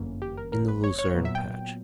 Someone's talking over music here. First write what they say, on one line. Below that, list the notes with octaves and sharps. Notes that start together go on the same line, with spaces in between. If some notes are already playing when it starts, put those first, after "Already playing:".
In the Lucerne Patch.
Already playing: G1 F#2 E3 A#3 C#4
G4
A#4
A#4
B4
C#5
C#5
A#2 F#3 B3
E5
G5